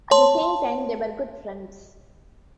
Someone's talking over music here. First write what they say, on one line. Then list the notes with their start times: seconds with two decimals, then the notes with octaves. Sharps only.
At the same time, they were good friends.
0.11 C#5 A5 C6